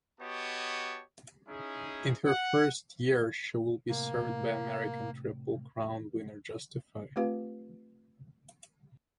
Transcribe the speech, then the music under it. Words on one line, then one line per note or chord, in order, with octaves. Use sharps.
In her first year she will be served by American Triple Crown winner Justify.
B3 F#4 G4 C#5 D#5 A5
C#4 D#4 E4 G#4
F#5
A2 C3 A#3
A3 C4 F4 G4 B4 F5